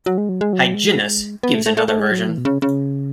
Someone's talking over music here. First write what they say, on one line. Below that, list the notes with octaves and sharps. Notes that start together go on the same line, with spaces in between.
Hyginus gives another version.
F#3
G#3
F#3
G#3
F#3
G#3
B3
A3
A3
A3
A3
G#3
F#3
E3
B2
C#3
C#3